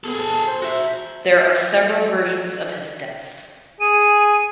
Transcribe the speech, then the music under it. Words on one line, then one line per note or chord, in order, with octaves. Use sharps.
There are several versions of his death.
B3 G#4 A4
A5
C5
F#4 E5
G#4 D#7